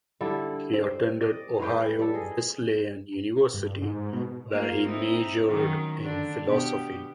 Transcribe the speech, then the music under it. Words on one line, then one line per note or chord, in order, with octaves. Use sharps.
He attended Ohio Wesleyan University, where he majored in philosophy.
D3 G3 E4 A4
C4
D5 D#5
E3 G#3 B4 G5
G3 A4
G#4 D#5
G2
G#2
B2
A#3 F4
C4 D#4 E4
D#3 F#3 C#4
D3 D4
B2 B3 G4